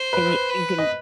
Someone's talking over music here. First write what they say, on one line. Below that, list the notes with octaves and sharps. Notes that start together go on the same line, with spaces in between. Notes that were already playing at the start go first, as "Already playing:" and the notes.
and you you can
Already playing: C5
B4
B4
D#5